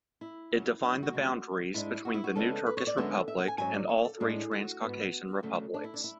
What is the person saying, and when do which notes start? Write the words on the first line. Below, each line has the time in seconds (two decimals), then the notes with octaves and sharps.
It defined the boundaries between the new Turkish Republic and all three Transcaucasian republics.
0.21 E4
0.52 F#2 C#3 F#3
0.83 D4
0.92 E4
1.03 F#4
1.13 D2 C#3 G#3
1.74 G#2 G#3 D4 E4
2.05 F#4
2.14 E4
2.24 F#4
2.35 C#3 G#3 B3 D4 A4
2.66 B4
2.77 C#5
2.87 D5
2.97 F#2 D3 G#3 B3 D4 E5
3.28 E5
3.38 F#5
3.48 G#5
3.58 G#2 F#3 C#4 G#5
3.74 D5
3.89 C#5
4.05 A4
4.20 A2 G#3 D4 G#4
4.51 F#4
4.81 G#2 E3 B3
5.43 D2 C#3 F#3 A3
5.74 D4
5.84 E4
5.94 D4
6.04 E4